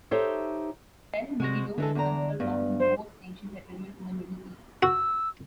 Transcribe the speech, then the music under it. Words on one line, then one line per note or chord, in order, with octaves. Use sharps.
Tel Megiddo is considered one of the most ancient settlements in the Middle East.
D#4 G4 A4 C5 C#5 E5
C3 G#3 F#4 C5 A#6
D3 E3 G#3 A4
E2 D4 A#5
D2 G2 B3
C5
F#4 E6